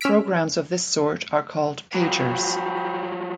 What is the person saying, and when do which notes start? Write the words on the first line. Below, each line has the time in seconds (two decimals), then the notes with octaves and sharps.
Programs of this sort are called "pagers".
0.01 C#4 E6 F6 B6 D7
1.94 F3 F#3 F#4 G5 B5